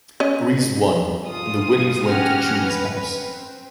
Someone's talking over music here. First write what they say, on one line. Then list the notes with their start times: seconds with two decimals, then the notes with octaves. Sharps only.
Griese won, and the winnings went to Judi's House.
0.20 C#4 D#5
1.26 F4 D#6
2.05 C#4 G4 F#5 G#5 F6 A#6
2.63 B4
3.03 C4